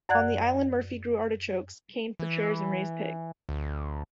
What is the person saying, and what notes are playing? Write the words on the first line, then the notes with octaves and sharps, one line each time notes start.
On the island Murphy grew artichokes, cane for chairs and raised pigs.
F#2 D5 F#5 F#6 G#6
E3
D2